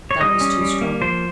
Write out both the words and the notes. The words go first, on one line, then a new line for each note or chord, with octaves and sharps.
That was too strong.
C#5
G3 D#5
C#4
G3
A#3
F3 C5